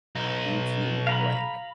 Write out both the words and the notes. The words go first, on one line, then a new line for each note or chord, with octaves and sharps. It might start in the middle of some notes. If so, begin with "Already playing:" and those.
due to blank."
B1 D#4
F5 A#5 B5